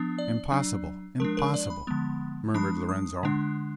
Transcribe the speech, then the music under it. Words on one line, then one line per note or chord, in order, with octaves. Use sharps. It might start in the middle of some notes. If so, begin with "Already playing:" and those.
"Impossible, impossible!" murmured Lorenzo.
Already playing: F3 B3 D4
D5
F#3 D4
F3 G#3 D4 A#4
A#4
D5
B5
D3 F3 G#3 B3
F3 G#3 D4 B5
D#6
D3 G#3 D4